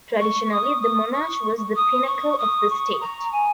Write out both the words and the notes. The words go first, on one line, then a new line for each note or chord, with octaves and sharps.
Traditionally, the monarch was the pinnacle of the state.
C#6
D#6
D#6
C#6
D#6
C#6
D#6
C#6
A#5
G#5